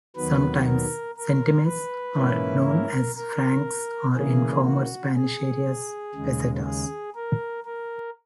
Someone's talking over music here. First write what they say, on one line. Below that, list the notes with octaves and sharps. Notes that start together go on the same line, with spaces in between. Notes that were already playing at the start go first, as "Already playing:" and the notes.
Sometimes "centime"s are known as francs or in former Spanish areas, pesetas.
D#2 D#3 F#3 B3 B4
A#4
A#4
B4
G#2 E3 A#3 C#4 E4
A#4
A#4
C#3 E3 A#3 G#4
F#4
G#4
D#2 C#3 G#3
G#4
A#4
A#4